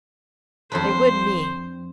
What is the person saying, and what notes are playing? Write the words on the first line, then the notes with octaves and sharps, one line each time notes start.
They would me.
F2 D4 B4 C5